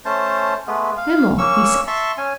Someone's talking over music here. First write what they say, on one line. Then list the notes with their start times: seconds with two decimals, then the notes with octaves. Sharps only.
"Himmel!" he says.
0.05 A3 C#4 C5 A5
0.67 G#3 A3 B3
0.97 F5
1.38 A#3 C#4 C#6 E6
1.87 E5 A5 C6 C#6
2.17 C#4 G#5